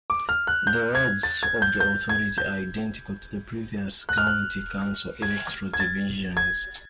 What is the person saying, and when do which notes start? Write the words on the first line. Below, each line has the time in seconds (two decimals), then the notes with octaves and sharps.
The wards of the authority are identical to the previous county council electoral divisions.
0.10 D6
0.29 F6
0.47 F#6
0.67 G6
0.95 G#6
1.23 A6
1.43 G#6
1.62 G6
1.80 G6
2.09 G#6
2.38 G6
4.09 F#6
4.18 F6
4.27 F#6
5.22 G#6
5.73 G#6
5.80 A6
6.37 G#6